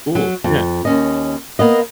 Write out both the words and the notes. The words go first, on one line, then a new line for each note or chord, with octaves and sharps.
Cool, yeah.
F#3
F2
D#2 C#4 D#5
A#3 B3 D#5